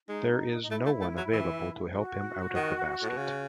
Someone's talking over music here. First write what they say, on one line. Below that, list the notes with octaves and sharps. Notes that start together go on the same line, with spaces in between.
There is no one available to help him out of the basket.
G#3 D#4
D#4
A3 E4
A3
A3
F#3
E3
F#4
D#3
A2
B2
C#3